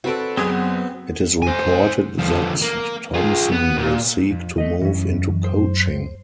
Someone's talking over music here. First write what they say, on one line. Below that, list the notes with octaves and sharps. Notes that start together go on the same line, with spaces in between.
It is reported that Thompson will seek to move into coaching.
C4 F#4 A4 B4 D5
F#1 F#3 B3 C4 G#4 D#6
C5 G#5
D3 F3
A#3
F4 G#4
B3
A#2
F2
A3 D#5
F#2 E3 C#4
C5